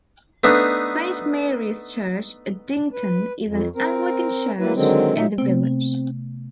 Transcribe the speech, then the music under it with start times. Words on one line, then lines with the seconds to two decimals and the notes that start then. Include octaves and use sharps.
Saint Mary's Church, Addington is an Anglican church in the village.
0.44 A3 B3 D4 D#4
2.92 B4
3.45 F2
3.76 C4 A#4
4.60 F#3 A#3 E4 B4
4.74 D3 D#3 F#3 G#3 C4
5.15 A#2 F#3 D#4 E5
5.38 C3 A3 B3 C4